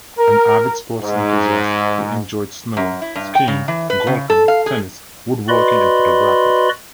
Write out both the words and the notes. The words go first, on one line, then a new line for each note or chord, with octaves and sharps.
An avid sports enthusiast, he enjoyed snow skiing, golfing, tennis, woodworking and photography.
A#4
G#2
F#2
E4
G2
G5
C#3
E3
B4
C#3
A4
F5
G#4
F#4 B4 D5 D#5 B5 C6